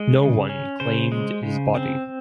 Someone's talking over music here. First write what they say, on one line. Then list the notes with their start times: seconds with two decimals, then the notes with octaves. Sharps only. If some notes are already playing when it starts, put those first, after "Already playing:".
No one claimed his body.
Already playing: G#3 D#5
0.17 C#3
0.49 C#4
0.80 C#3 C5
1.12 G#3
1.43 C#3
1.75 C4